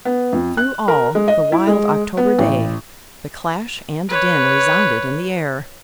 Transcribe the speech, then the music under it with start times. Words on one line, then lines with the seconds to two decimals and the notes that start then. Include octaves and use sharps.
Through all the wild October day, the clash and din resounded in the air.
0.05 B3
0.33 F2
0.57 F#6
0.88 A#4
1.15 G#3
1.28 D#5
1.52 E4
1.67 G#3
2.17 B3
2.39 A1
4.09 B4 C#5